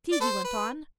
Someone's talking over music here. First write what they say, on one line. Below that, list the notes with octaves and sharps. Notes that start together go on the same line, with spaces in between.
"See!" he went on.
D5
A4 C5
B4